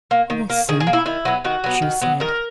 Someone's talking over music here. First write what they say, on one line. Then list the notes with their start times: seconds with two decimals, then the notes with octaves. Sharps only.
"Listen," she said.
0.11 A#3
0.30 D#3
0.50 A#3
0.69 D#3 G#4
0.80 G#4
0.87 A#3
0.93 E4
1.06 D#3 E4
1.25 F#3 B3
1.45 D#3 F#4
1.64 F#3 B3
1.82 D#3
2.01 F#3 B3
2.20 D#3 A#4